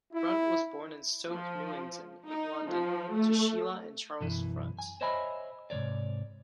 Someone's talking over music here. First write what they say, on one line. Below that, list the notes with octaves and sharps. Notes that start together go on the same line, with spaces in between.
Front was born in Stoke Newington, London, to Sheila and Charles Front.
E4
F3
D#4
F3
A3
B1 F#2 E3 E4
G#5
C5 C#5 D#5 E5 G#5 B5
G#2 C3 D#3 C#5 D5